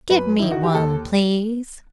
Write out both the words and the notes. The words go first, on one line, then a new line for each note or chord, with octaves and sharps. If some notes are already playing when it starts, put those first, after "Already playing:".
"Give me one, please."
F#2 B4
D#3 E4
F#4
G4
D#2 A4